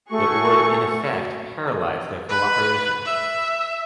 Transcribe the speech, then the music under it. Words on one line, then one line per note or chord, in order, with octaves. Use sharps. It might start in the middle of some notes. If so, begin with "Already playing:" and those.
It would, in effect, paralyse their co-operation.
A3 F#4 G#4 C#6
B4
E5